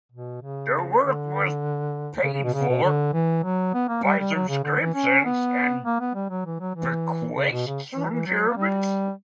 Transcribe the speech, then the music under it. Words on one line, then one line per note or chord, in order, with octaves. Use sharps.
The work was paid for "by subscriptions and bequests from Germans".
B2
C#3
D3
C#3
C#3
B2
C#3
B2
D3
E3
F#3
B3
A#3
G3
G3
F#3
C#3
D3
E3
C#4
B3
A#3
B3
G3
F#3
E3
F#3
E3
C#3
B2
C#3
E3
E3
F#3
A#3
G3